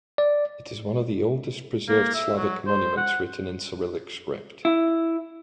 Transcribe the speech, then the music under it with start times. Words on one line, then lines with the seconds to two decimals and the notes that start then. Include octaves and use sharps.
It is one of the oldest preserved Slavic monuments written in Cyrillic script.
0.18 D5
1.88 A#3
2.14 E5
2.37 F#3
2.67 C5
2.97 F#5
4.65 E4